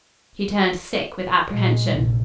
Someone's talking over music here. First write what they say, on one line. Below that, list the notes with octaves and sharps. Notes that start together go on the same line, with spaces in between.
She turned sick with apprehension.
A#2 G#3
F1 A#1